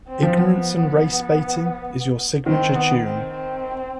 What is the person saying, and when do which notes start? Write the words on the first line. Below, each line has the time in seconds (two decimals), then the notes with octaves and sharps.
Ignorance and race baiting is your signature tune.
0.08 C4
0.23 F3
0.38 B3
2.46 D#3 C4
2.76 B3
3.06 C4
3.36 C4